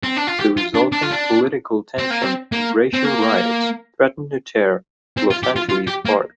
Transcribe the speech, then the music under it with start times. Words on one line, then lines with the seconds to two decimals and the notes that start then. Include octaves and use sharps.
The resulting political tension and racial riots threaten to tear Los Angeles apart.
0.04 C4
0.17 D4
0.27 F4
0.40 G4
0.57 F4
0.75 D4
0.92 D4
1.02 F4
1.12 D4
1.99 C4
2.11 A#3
2.22 C4
2.52 A#3
2.94 C4
3.05 A#3
5.17 C4
5.31 F4
5.43 G4
5.56 F4
5.69 F4
5.87 G4
6.06 A#3